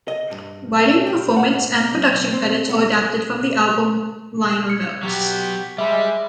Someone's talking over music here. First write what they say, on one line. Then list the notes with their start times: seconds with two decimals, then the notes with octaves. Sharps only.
Writing, performance and production credits are adapted from the album liner notes.
0.08 D#5
0.31 G2
0.85 C#4
1.07 G4
1.36 F#5
1.53 G#2
1.91 B1
2.33 C4
2.69 B3
4.70 G#6 C#7
5.03 F#3 B3 G4
5.78 G3 G#3 E5 B5